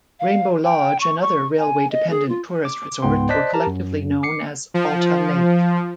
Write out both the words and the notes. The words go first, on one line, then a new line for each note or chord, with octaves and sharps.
Rainbow Lodge and other railway-dependent tourist resorts were collectively known as Alta Lake.
F5
G5
C#6
C#6
G#5
D#5
G#4
F4
D6
C#2 G#2 B3 G5 C6
C5 D5 D#5 A5 F#6 B6
G4 A#4 A5 A#5
F#2
D6 C7 C#7
F3